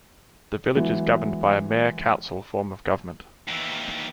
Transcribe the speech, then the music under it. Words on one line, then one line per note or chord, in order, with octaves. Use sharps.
The village is governed by a Mayor-Council form of government.
E3 F#3 G#3 B3
D#2 E3